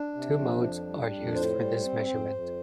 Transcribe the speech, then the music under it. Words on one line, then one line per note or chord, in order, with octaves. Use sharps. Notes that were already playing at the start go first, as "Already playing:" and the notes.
Two modes are used for this measurement.
Already playing: D4
C3
F3
F2
G3
F2
A2 C5
G3
C4
F2 C5
F2